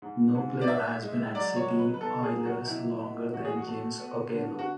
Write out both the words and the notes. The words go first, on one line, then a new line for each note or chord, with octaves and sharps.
No player has been at City Oilers longer than James Okello.
G#2
G#2
D5
G#2 E5
G#3
F#3 D5
C#5
B2
B4
B4
B1 A4
G#4
F#3
F#4
B2 E4
B2
E2 F#4
G#4
F#4
A3
B3
D3
F#4